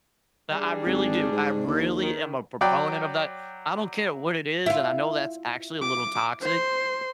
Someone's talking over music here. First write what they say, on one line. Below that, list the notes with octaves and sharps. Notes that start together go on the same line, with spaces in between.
I I really do, I really am a proponent of that. I don't care what it is, and I know that's actually a little toxic,
G3 D4 G#4
G#1
G#2
D#2
D#3
F#3 D5 G5 B5
E4 F4
D6
C5 C6